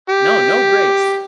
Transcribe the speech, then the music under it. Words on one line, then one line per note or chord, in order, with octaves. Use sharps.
No, no breaks.
G4